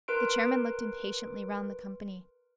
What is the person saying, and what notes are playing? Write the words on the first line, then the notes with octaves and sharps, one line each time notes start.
The chairman looked impatiently round the company.
A#4 B4 C6 D7